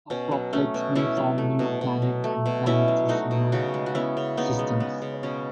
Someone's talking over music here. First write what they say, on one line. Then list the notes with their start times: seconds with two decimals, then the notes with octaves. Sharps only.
A proplyd may form new planets and planetesimal systems.
0.10 B2 C#4
0.31 F#3
0.53 A3 C#4
0.74 B2
0.95 B2 C#4 E4
1.17 F#3
1.38 A3
1.59 B2
1.81 B2
2.02 F#3
2.24 A3
2.46 B2
2.66 B2 C#4 E4
2.88 F#3
3.09 A3 D#4 F#4
3.31 B2
3.52 C#3 D#4 F#4
3.74 G#3
3.86 F#4
3.95 B3 C#4 E4
4.17 C#3
4.37 C#3 B3 D#4
4.59 G#3
4.80 B3
5.02 C#3
5.23 B2 C#4